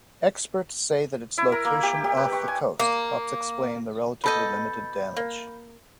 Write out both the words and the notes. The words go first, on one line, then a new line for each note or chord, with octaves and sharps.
Experts said that its location off the coast helps explain the relatively limited damage.
E4
A#4
A#3
G4
G4
B4
C#6
G#5
A#3
B2 A4 D#5 B5 G6
A#3